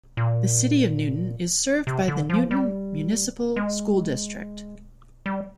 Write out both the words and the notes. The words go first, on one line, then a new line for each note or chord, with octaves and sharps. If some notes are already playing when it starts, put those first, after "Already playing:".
The City of Newton is served by the Newton Municipal School District.
A#2
C3
D3
F3
G3
G#3
G3